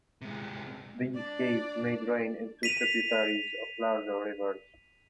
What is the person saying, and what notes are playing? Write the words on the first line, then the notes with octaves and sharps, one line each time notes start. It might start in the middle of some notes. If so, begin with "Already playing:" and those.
These caves may drain into tributaries of larger rivers.
C3 G#3
D4 D5
B6 D#7 F7